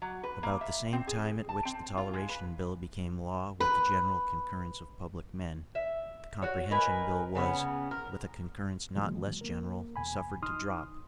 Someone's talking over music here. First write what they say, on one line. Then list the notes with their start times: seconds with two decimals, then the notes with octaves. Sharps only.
About the same time at which the Toleration bill became law with the general concurrence of public men, the Comprehension Bill was, with a concurrence not less general, suffered to drop.
0.02 F#3
0.24 B4
0.43 A#3
0.61 E5
0.93 C4
1.07 G#4
1.49 A5
1.65 C4
1.98 F4
2.14 G#3
2.29 B4
3.60 B4
5.75 E5
6.42 F#4 C#5
6.71 D#4 A#4 B4 G#5
7.35 C#3 B3 C#4
7.91 A#4
8.95 B2 D#3 E3 F#3 G#3 A#3
9.41 A#3 A#4
9.96 E2 B2 G#5 B5
10.42 D#4 C6 D#6 F6